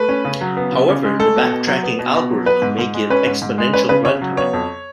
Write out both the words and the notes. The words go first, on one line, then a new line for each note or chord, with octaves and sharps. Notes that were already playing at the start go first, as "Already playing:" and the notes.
However, the backtracking algorithm may give exponential runtime.
Already playing: A3 B4
C#4
C#3
F#3
B3
C#3
C#3
G#3
A3 A4
B2
B2
F#3
B3
B2
B2
F#3
B3 B4
G#2
G#2
G#3
C#4 B4
G#2
G#2
G#3
C#4 B4
C#3 B4
C#3 C#5
F#3
B3 C#5
F2